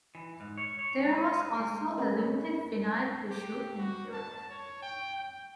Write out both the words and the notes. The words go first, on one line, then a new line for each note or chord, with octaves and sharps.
There was also a limited vinyl issue in Europe.
E3
G#2
C#5
C#5
G#3
D#5
G#3
C#4 A#4 B4 D#5
G4
F#4
A5
C#5
G5
G5